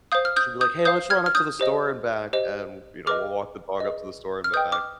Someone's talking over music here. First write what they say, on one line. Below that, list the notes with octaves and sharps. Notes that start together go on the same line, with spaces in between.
she'll be like, "Hey, let's run up to the store and back." and, you know, we'll walk the dog up to the store and back,
C5 F5 D#6 G6
F6
D#6 G6
D#6 G6
C5 F5 D#6 G6
F6 G#6
F6
D#6 G6
G4 C5 D#5
G4 C5 D#5
G#4 B4 D#5 D6 F6
G#4 B4 D#5
F6
B4 D#5 G5 D#6 G6
D6 F6